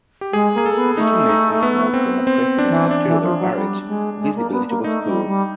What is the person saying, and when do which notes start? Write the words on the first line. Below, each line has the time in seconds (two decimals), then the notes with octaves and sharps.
Due to mist and smoke from a preceding artillery barrage, visibility was poor.
0.21 G4
0.33 G#3 G#4
0.55 A#3 G#4
0.66 A4
0.76 B3
0.97 A3 D#4
1.29 D#4
1.63 B3
1.94 C4
2.27 C4
2.58 D4
2.69 E3
2.91 D4
3.07 E3
3.23 F3
3.39 F#3
3.55 G3
3.87 G#3
4.20 G#3
4.36 A#3
4.52 B3
4.68 A#3
4.84 A3 D#4
5.06 G3
5.27 G3